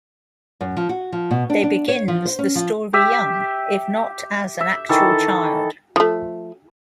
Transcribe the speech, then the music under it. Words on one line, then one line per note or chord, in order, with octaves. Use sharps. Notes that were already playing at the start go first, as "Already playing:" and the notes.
They begins the story young, if not as an actual child.
F#2
F3
F#4
F3
B2
D4
D4
C#5
F3
C5
C#4
F3
G4 E5
E5
D#3 E3 A4
F3 A3